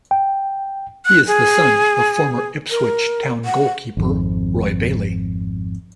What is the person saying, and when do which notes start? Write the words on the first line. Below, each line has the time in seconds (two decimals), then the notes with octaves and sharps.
He is the son of former Ipswich Town goalkeeper Roy Bailey.
0.11 G5
1.06 F#6
1.27 G#4
2.70 A#4
3.45 F#5
3.97 G#1 F2